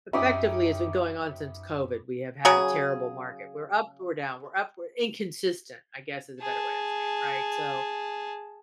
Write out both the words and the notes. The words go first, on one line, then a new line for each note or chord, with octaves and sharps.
effectively, it's been going on since COVID, we have had a terrible market, we're up, we're down, we're up, we're inconsistent, I guess, is a better way to say it, right? So,
F#2 C#4 D#4 G4 E5 B5 D6 D#6
C#3 F#3 G#4
G#4 A5